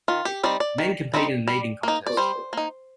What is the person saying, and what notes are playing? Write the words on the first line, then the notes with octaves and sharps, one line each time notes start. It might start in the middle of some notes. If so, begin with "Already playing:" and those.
Men compete in an eating contest.
D#3 F4
G4
G3 C4 D#4 D5
D5
D#3
G3 C4 D#4
G3
A#3 D#4
D5
G3 C5
A#3 D#4